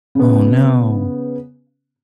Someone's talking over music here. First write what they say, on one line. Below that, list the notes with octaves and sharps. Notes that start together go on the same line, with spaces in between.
Oh no.
C#3 B3